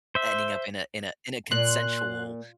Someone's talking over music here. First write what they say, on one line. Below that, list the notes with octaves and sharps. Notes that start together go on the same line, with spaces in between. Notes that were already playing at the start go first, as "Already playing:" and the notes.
ending up in a in a in a consensual,
C5 E5
A#2 C6 F#6